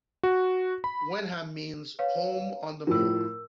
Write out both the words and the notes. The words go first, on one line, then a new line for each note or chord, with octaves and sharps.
Wenham means "home on the moor".
F#4
B5
B4 C#5 F5
A2 F3 A#4 E6